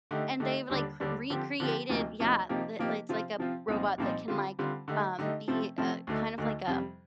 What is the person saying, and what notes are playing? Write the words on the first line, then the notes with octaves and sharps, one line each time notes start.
and they've, like, cr recreated yeah, the li it's, like, a robot that can, like, um, be a kind of like a
D3 A3 D#4 G4
D3 A3 D#4 G4
D#2 D3 G3 D4
D#2 D3 G3 D4
D3 F3 C4 G4
D3 F3 C4 G4
D2 C3 F3 A#3 D#4
D2 C3 F3 A#3 D#4
C3 F3 A#3 D#4 G4
C3 F3 A#3 D#4 G4
C3 F3 C4 F4
C3 F3 C4 F4
C2 A#2 F3 C4 D#4
C2 A#2 F3 C4 D#4
D3 G3 C4 F4
D3 G3 C4 F4
D3 A3 D#4 G4
D3 A3 D#4 G4
C3 F3 A3 C4
C3 F3 A3 C4
D2 D3 A3 D#4
D2 D3 A3 D#4
F2 C3 G3